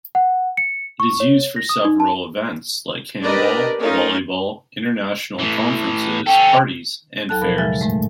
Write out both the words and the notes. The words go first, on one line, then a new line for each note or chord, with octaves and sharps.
It is used for several events, like handball, volleyball, international conferences, parties and fairs.
F#5
C#7
C#6
C#5
A#6
D#6
D#4
A5
D4 G4 A#4 B4 D5 D#5
A3 C#4 D#4 F4 A#4
A2 E3
C#4 A4 G5
D#2 F#3 A4 A5 F#6
B2 F3 A#4 B5
G#2 C#3 F#3 G#3 E5 A6
F2 A2 G#3 A3